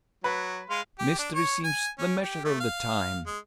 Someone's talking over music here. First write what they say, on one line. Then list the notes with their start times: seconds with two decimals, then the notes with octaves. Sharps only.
Mystery seems the measure of the time!
0.24 F#3 B4
0.70 G#3 F5 C6
0.99 G4
1.18 D4
1.35 C#5
1.64 G#5
1.98 C#4
2.23 G4
2.45 A3
2.60 F5
3.26 G#3